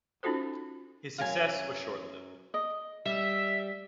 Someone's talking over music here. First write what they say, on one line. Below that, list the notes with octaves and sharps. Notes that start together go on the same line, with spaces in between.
His success was short-lived.
C#4 D#4 F4 F#4 A4 C5
F#2 F#3 F5 G#5
D#5
G3 E5